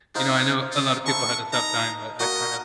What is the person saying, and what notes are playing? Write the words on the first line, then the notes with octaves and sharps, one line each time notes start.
You know, I know a lot of people had a tough time, but I kind of
D4 D#4 C5 F5
F4
E5 A5 B5 C#6
D#4 A#5
A#3 F#4 A#4 D#5